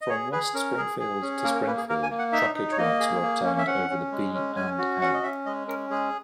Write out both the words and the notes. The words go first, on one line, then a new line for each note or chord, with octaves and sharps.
From West Springfield to Springfield, trackage rights were obtained over the B and A.
D#5
G#4 C#5
G#4 B4
C#4 A#4
G#4
G#4
C#4
A#3 A#4
A#4
A#3 B4
G#4
A#3 A#4
G#5
A#3
F#5
D#4 E5
D#4
C#5
A#3 D#5
G#4
A#3
C#4
E5
C#4 F#5
C#4
G#3
C#4
C#4 G#5
F#4
C#4 F#5
D#5
C#4 E5
G#3 D#5
C#4 A#4
G#3 G#4